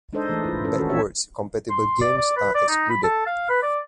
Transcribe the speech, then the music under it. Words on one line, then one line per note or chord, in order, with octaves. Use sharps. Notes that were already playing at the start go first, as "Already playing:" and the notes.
Backwards compatible games are excluded.
G#3 D4 D#4 A4 C5 D#5
E3 A3
E4 F4
C#4 E4 A4
D#3 C#4 F#4 A4
E3 C#4 G4 C#5 E5
C6
D5
D5
B4
D5
D#4
B5
A4
F5
B4
D5